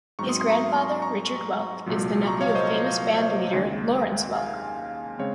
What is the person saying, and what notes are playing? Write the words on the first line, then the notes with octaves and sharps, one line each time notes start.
His grandfather, Richard Welk, is the nephew of famous band leader Lawrence Welk.
G#2 F#3 C4 A#5 C#6
C6 D#6
C6 D#6
A#5 C#6
A#5 C#6
C2 A#2 F#3
A#5 C#6
C#5 F5
C5 D#5
D#2 C#3 G#3
F5 G#5
C#3 G#3 C4 C#5 F5